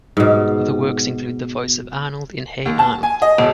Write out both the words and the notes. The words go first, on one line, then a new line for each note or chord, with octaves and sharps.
Other works include the voice of Arnold in Hey Arnold!
G#2 B2
D#2
A5
G#5
D#5
E1